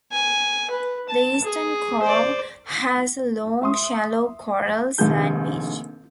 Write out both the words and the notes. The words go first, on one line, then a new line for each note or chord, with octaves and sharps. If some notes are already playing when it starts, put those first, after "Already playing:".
The eastern cove has a long shallow coral sand beach.
G#5
B4
A5
G#4
C5 D5
E5 C6 D#6
F1 A#1 A#2 D#3 G#4 G6